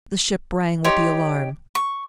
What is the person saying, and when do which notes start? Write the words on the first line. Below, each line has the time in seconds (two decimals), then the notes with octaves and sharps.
The ship rang with the alarm.
0.85 D#4 G4 C#5 C6
1.75 C#6